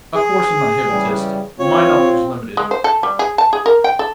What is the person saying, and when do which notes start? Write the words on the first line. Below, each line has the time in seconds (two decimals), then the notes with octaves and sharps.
Of course I'm not a hypnotist; my knowledge is limited.
0.15 G#4
0.87 C#3 E3 G3
1.59 C4 F4 C#5
2.57 G#3
2.71 C5
2.84 A4
3.03 G3
3.19 G#4
3.38 A5
3.53 G#4
3.66 A#4
3.84 G5
3.99 A4